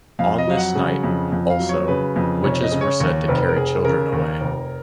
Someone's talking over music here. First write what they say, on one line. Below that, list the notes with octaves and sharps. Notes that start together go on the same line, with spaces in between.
On this night, also, witches were said to carry children away.
F2 F5
D#5
F#3 F5
F#5
C#3
F2
F2
F5
F#3
C#5
C#3 B4
F2
F1 C#5
D#5
C#3
C#5
D#2 C#5
F1 B4
A#4
F1 G#4
C#3 A#4
D#2
F1